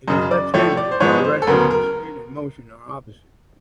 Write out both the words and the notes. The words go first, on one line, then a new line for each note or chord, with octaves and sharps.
It is left-handed if the directions of spin and motion are opposite.
F#2 C#3 F#3 D#5
D5
A2 F3 A3 C#5
D5
C5
G#2 F3 G#3 B3 C#5
C5
A4
D2 C#3 F#3 B3 A#4
A#4